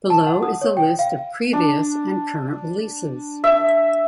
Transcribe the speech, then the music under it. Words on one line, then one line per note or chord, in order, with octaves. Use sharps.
Below is a list of previous and current releases.
A5
F#5
D#6
C#5
G5
F5
D4
E5